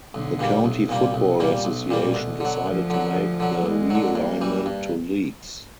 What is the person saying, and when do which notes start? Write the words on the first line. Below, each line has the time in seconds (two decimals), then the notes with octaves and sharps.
The County Football Association decided to make the realignment to leagues.
0.14 B1 D3
0.39 A#2 G3 A#3
0.64 B1 C3
0.89 A#2 G3 A#3
1.14 B1
1.40 A#2 G3 A#3
1.65 B1 B2
1.91 A#2 G3 A#3
2.15 D2
2.40 D3 F#3
2.66 D2 F3
2.90 D3 F#3
3.15 D2
3.40 D3 F#3
3.65 D2 G#3
3.90 D3 F#3
4.15 G2 A#3
4.41 E3 G3
4.66 G2